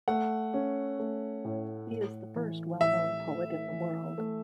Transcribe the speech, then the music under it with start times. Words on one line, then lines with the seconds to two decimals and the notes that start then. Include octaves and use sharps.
He is the first well known poet in the world.
0.08 A3 F#5
0.54 C#4
0.99 A3
1.45 A2
1.90 A2
2.35 E3
2.80 A2 E5
3.27 A3
3.71 E3
4.18 A3